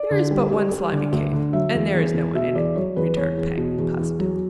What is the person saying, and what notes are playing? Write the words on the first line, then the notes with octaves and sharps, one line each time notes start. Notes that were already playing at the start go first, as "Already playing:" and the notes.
"There is but one Slimy Cave, and there is no one in it," returned Pang positively.
Already playing: D5
D3
G3
G3
G3
D3
D2
D3
F#3 E5
E2
E2
E2
B2 E5
E2 D5
F#3 C#5
E2 B4
E2 C#5
E2
B2
E2
E2
F#3